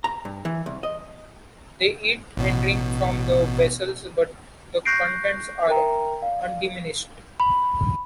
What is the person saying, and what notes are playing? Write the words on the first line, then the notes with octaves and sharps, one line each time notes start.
They eat and drink from the vessels, but the contents are undiminished.
A#5
G2
E3
C2
D#5
A1 B2
C#6 F#6 G6 A#6 C7 D7
A#4 E5 G5 A#5
D5 F5
B5